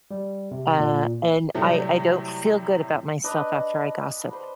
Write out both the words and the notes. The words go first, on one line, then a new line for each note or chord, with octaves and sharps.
uh, and I I don't feel good about myself after I gossip.
G3
C3
A#2
A2 C3 F#3 G3 A3
D4 B4 D#5
B4 C5